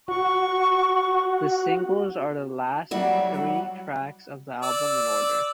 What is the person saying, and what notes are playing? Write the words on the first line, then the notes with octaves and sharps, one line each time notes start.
The singles are the last three tracks of the album in order.
F#4 C#6
F#3 G3 E4 F#4 D5
F#5
D5 E6